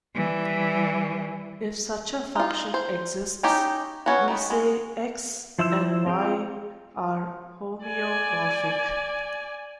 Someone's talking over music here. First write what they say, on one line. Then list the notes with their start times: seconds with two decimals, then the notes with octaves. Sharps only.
If such a function exists, we say "X" and "Y" are homeomorphic.
0.15 E3 G3
2.36 D#4 F4
2.74 C5
3.43 C#4 D#4 G4
4.06 B3 C#4 F#4
4.28 D#3 B3
4.50 G#3
5.58 F3 E4 C5 E6
6.06 C4 F4 G#4 G5
7.85 D5 G#5